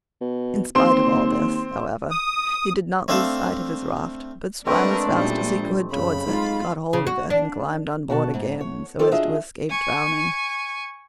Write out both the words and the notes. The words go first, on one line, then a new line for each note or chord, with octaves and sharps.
In spite of all this, however, he did not lose sight of his raft, but swam as fast as he could towards it, got hold of it, and climbed on board again so as to escape drowning.
B2
D#2 C4 C6
D#6
A3 C4 D4 E5 F5 A5
G#3 A3 C4 D4 A#4 B4 D#5 F#5
B1 A#2 G3
A#1
F#2 C#3 B5
G#2 F4
C#3
F#4
D4
B2 F#4 A5
G#2
C#5
F3 C4 F4 A4 C5 D5
D4 F4 F#4 G#4 D#5 E5
G#5 C#6